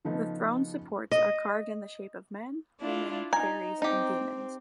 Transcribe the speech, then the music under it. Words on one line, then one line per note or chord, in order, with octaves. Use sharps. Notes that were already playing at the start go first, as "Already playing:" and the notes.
The throne's supports are carved in the shape of men, women, fairies, and demons.
C#3 F3 A3 B3 D#4
D#5
D4 E4 F4
D#4 G#5 A#5
C4 D#4 G4